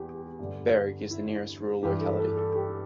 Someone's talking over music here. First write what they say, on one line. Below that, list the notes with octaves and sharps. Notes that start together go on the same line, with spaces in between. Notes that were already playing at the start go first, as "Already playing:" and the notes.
Bereg is the nearest rural locality.
Already playing: E2 E4 G4
G4
G2 D3
E4
G2 E3 G4
A4
A4
A4
G4